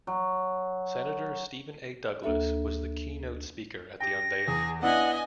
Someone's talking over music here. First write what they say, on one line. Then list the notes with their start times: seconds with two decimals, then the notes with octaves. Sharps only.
Senator Stephen A. Douglas was the keynote speaker at the unveiling.
0.07 F#3
2.24 D2 A#3 D4 A4 E5
4.00 G4 G5 A#6
4.48 E2 G#4
4.82 B3 D4 E4 D#5 F#5 G#5